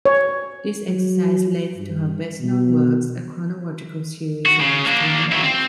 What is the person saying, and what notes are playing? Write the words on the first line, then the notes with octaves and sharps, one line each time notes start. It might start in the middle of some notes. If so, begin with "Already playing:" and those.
This exercise led to her best-known works, a chronological series of mystery novels.
C#5
F#3
G2
B2
F#4
C#3
A#3 D4
F#3 E4
C4